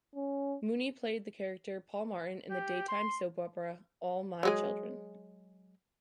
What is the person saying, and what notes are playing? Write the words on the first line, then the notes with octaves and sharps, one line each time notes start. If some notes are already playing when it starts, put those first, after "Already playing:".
Mooney played the character Paul Martin in the daytime soap opera "All My Children".
C#4
G4
C6
F#3 G#3 G#4